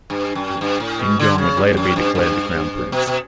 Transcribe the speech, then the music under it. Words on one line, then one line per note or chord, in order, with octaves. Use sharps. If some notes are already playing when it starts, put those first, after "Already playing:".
Injong would later be declared the crown prince.
G2
F#2
G2
A2
B2
D3
C#3
G2
F#2
G2
G2
B2
B2